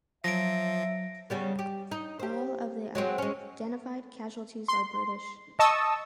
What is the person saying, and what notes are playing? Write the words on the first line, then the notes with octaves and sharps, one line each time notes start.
All of the identified casualties are British.
F3 F#3 E5 A#6 D7
C#3 G3 B3
G4
D#4
G4 C5
F#3 G#3 C4
G#3 C#4
C6
D#5 A5 C#6 D#6 E6